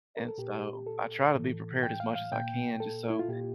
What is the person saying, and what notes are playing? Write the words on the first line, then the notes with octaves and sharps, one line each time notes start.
And so I try to be prepared as much as I can just so
A#4
A4
A#2 G4
A4
A2 E3
G5
F5
F5
A#2 G5
A4
E4
F4
A#2 G4